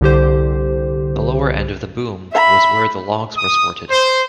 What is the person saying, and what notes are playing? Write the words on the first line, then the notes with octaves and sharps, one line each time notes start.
The lower end of the boom was where the logs were sorted.
C2 D3 G4 C5
E5 B5
D#6
C5